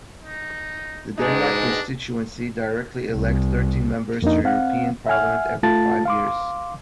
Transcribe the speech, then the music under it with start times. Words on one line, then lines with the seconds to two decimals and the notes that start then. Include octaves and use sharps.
The Denmark constituency directly elects thirteen members to the European Parliament every five years.
0.22 D#4
1.18 G#2 B2 G#3 D4 D#4
3.11 C2
4.22 F2 A#3 D4 D#4
4.44 C4 F5 F#5
5.07 E5 F#5 G#5 F6
5.63 A3 F4 A5 A6
6.06 F5 C6 D6